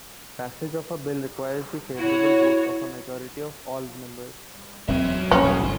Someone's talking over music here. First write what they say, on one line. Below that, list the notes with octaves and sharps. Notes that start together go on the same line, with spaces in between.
Passage of a bill requires the favorable vote of a majority of all members.
E4 F#4 C#5
E1 D#2 F#3 C4 E5
A#1 A2 C#4
D#1 B1 E2 B2 F#3
G1 E4 C6